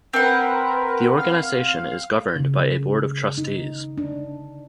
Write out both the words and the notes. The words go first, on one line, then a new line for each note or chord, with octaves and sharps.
The organisation is governed by a board of trustees.
C4 A#4 B4 F#5
F5
C#3
D#4
D4